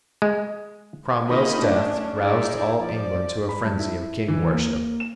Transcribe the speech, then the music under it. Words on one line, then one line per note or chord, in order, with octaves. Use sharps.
Cromwell's death roused all England to a frenzy of king-worship.
G#3
D#3 F3 A#3 F4 D#5 B5
A3 C#4 D4
D#4 E4 G#4 D5
F3 D5
B5
G2
E4
E3
A#3
E7